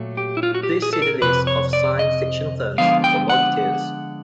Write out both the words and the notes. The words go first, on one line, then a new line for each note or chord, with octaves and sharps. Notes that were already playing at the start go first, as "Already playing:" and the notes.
Please see the list of science fiction films for more details.
Already playing: A#2 F#3 A3
G4
E4
F4
F#4
G4
G#4
A4
A#4
F2 C3 B4
C#5
D5
D#5
D3 F3 G#3 B3 F5
G5
F#5